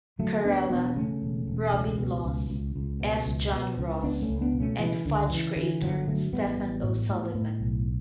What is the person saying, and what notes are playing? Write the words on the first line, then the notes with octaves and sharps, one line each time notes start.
Carella, Robin Laws, S. John Ross, and "Fudge" creator Steffan O'Sullivan.
D3 F#3 A3
D2 B3 D4
E1 B3 D4
C#3 A3 C#4
E1
E1
C#2
B2
C#2
C#2
C#2
B2
C#2
B2
C#2
C#2 B3 D4
A3 C#4
C#2
B3 D4
B2
A3 C#4
C#3 E3
C#2 D3
C#3 E3
D3 E3
G1 D3 F#3
D3 F#3 A3
A1 G3 B3
A1
A2
A2
A2
B1